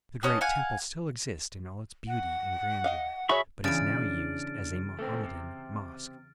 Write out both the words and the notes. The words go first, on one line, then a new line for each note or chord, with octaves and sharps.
The great temple still exists in all its beauty and grandeur, but is now used as a Mohammedan mosque.
B3 C#4 D#5 A5
F5 F#5 G#5
F#5
D#5 F5
F#4 G#4 C#5 E5 B5 C#6
E2 C#3 D4 F6 A6 D7
A3 C4
C3